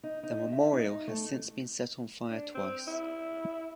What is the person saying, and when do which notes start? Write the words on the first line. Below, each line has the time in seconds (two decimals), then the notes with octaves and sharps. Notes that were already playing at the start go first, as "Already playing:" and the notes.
This memorial has since been set on fire twice.
0.03 D#4
0.23 D#4
0.52 E5
0.73 D#4
1.08 A3
2.30 D4
2.55 C4
2.87 E4